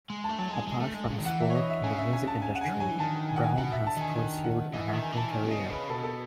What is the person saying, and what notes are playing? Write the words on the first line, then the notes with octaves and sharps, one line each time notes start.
Apart from his work in the music industry, Brown has pursued an acting career.
G#3
A5
A3
F#3 A5
G#3 G#5
G#3
A3
G#3
C#3
D#3
E3 F#5
E5
C#5
D#5
E5
C#3 G#5
E5
G#5
A5
G#5
F#5
G#5
G#3
F#3 G#5
E3
D#3 A5
G#5
F#5
G#5
B2 F#5
E5
A5
D#3 G#5
G#5
F#5
E3 D#5
E5
D#3
G#5
E3 A5
D#3 G#5
B2
C#3 D#5
B2
C#3 B4
B2 A4
A4